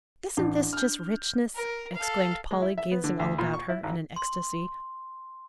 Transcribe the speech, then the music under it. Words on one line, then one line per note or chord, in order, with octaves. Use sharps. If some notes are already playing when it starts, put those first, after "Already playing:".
"Isn't this just richness?" exclaimed Polly, gazing all about her in an ecstasy.
A1 D4
F6 G6
A#4
A4 F5
G#3
E4
E5
B3
D3
D2
A#2
C#6
E4
G#1
C6